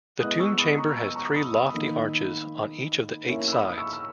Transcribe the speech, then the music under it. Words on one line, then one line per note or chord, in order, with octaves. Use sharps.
The tomb chamber has three lofty arches on each of the eight sides.
G#3 B3 E4 B4 D#5 D#6 F#6
C#6 E6
B5 D#6
A#5 C#6
C#6 E6
A#5 C#6
B5 D#6
B5 D#6
D#3 A#3 D#4
A#3 C#4 E4 A#4 E5
E6
B5 D#6
C#6 E6
E6